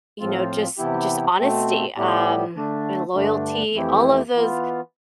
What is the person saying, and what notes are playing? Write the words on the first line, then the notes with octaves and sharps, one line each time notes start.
you know, just just honesty, um, and loyalty, all of those
A2 F3 C4 F4
C3 E3 B3 E4 G4
B2 A3 C4
A2 G3 B3 E4 G4
D3 A3 D4
G2 D3 A3 D4
F2 E3 A3 E4 G4
E3 B3 F4